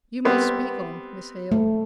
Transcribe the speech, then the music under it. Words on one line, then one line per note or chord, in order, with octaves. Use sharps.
'You may speak on, Miss Hale.
G3 B3 C4
A3